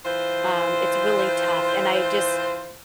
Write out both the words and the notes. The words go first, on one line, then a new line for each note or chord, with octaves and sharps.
Um, it's really tough, and I just
E3 F4 C5